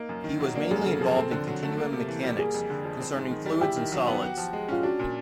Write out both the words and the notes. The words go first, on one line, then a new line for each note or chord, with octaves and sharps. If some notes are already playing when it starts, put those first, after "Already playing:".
He was mainly involved in continuum mechanics, concerning fluids and solids.
Already playing: A#3 D#4
F#2
D#3
F#3
A#3 D4
F#2 G#4
C#3 A4
F3 G#4
C4 A4
D3
F#3
A3
A#3
C3
E3
G3
A#3 G#4
F2
D3
F3
C4
G#2
D#3
G3
E4 G4
D#3
F#3
B3
F#4
F3
G#3
C#4 F4
D4 F#4
A#2